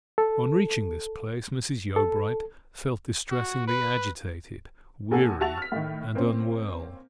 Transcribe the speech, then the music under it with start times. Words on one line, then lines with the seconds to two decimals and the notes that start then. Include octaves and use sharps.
On reaching this place Mrs. Yeobright felt distressingly agitated, weary, and unwell.
0.18 A4
1.96 A4
3.30 F#4
3.68 B4
5.11 A#1 A4 F#5 G#5 A5
5.41 F#4 E5 A5 E6 A6 F7
5.58 F6 B6
5.72 A2 D#3
6.15 A#3 C4 C#4 C5